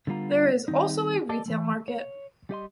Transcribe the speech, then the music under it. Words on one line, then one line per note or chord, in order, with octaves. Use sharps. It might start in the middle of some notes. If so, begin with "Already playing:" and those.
There is also a retail market.
D3 G3 B3 F4 A#5
D#3 G3 C4 D#4
G4 A4 D5 D#5 A5
E3 G#3 A3
C#5
G3 G4 D#5 C6